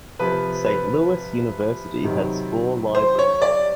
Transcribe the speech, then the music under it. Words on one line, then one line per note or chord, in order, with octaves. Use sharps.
Saint Louis University has four libraries.
C3 F3 B4
B4
C3 D#3 F#3
C5
C#5
D5